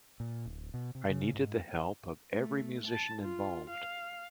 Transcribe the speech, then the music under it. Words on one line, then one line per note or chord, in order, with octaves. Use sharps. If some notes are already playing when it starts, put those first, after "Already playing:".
I needed the help of every musician involved.
A#2
D1
B2
C3
C#3
G#2
A3
A5
F4
F5